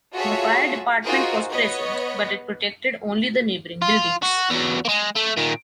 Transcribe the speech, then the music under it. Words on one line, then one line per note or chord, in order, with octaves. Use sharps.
The fire debarment was present, but it protected only the neighboring buildings.
F4 F#4 G#4 A4 C#5 E5
D#4 F4 F#4 G#4 A#4 C5
B3 C#5 D#5
F4
F#4
E2 F#3
G#3 A#3
A3
A#2 D#3